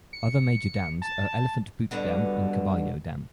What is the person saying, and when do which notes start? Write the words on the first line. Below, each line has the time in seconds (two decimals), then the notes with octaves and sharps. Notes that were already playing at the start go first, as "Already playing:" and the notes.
Other major dams are Elephant Butte Dam and Caballo Dam.
0.13 C#7
1.02 A5
1.91 G2 B2 D3